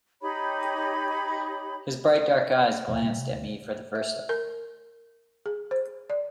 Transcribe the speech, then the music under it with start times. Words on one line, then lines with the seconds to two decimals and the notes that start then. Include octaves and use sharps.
His bright dark eyes glanced at me for the first time.
0.21 D#4 G4 C#5 B5
2.88 D1 E2 B2
3.02 A#2 C#3 G3 B3
3.17 C3
3.30 D2
3.95 E5
4.29 A#4
5.46 G#4
5.71 C5
6.10 D5